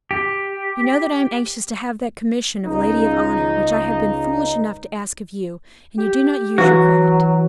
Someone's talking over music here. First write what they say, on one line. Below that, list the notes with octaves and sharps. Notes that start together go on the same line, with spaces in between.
"You know that I am anxious to have that commission of lady of honor, which I have been foolish enough to ask of you, and you do not use your credit."
G4
C#2 D#4
G4
E3 F#3 F#4